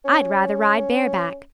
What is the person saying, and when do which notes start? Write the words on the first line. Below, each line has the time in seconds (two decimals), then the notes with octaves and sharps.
I'd rather ride bareback.
0.05 C#4